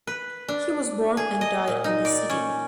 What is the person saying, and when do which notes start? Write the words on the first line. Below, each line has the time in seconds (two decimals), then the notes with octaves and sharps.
He was born and died in the city.
0.07 B4
0.48 D4
1.17 G#4
1.41 D#5
1.68 A#2
1.84 D#4
2.05 D5
2.30 C#4